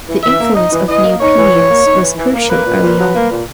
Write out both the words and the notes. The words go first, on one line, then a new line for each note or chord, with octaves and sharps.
The influence of Nupedians was crucial early on.
E3
E3 E5
A#3
D#4 D#5
E3
E3 D#5
A#3
D#4 C#5
E3
E3
A#3
D#4
E3
E3
A#3
A#3 B4
A#2
A#2
F#3
A#3
A#2